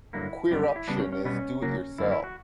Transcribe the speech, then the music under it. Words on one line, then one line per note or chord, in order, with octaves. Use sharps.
Queeruption is Do-it-Yourself!
G2 D3 F#3 A#3 E4
F#2 C#3 G3 B3 G4
G4
E4
C#3 G3 B3 D4
C#4
C#4
B2 G3 B3 C#4
C#3 F#3 A#3
F#2 D3 G3 A#3 E4
E4
F#4